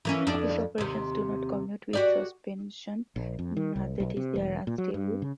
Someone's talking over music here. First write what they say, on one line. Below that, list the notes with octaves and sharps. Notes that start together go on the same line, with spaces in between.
These operations do not commute with suspension, that is they are unstable.
E3 A#3 C#4
F2 D4
D#2 C3
F#4 G4 D5
A#1
F2
D#3
C2
B1
C3
E1
A#2
F#3
G2
C#3